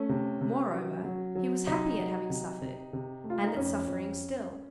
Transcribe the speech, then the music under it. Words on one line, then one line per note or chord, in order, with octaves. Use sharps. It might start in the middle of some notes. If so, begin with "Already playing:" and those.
Moreover, he was happy at having suffered, and at suffering still.
Already playing: A3 C#4
C3
C3
F#3
F#3
F#3
C3 D#4
F#3
C3
C3
C3
A3
F4
D#4
F2 C#4
F2